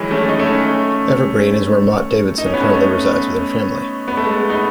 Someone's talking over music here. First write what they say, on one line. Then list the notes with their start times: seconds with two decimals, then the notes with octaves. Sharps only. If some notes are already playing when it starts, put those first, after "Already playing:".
Evergreen is where Mott Davidson currently resides with her family.
Already playing: D#3 E3 F#3 G#3
0.11 A3 C#4
0.29 D#4
0.39 A3 C#4
2.38 D#4
2.46 C#4
2.54 B3
2.61 A3 C#4
4.08 B3
4.17 A3
4.26 G#3 B3
4.50 B3 D#4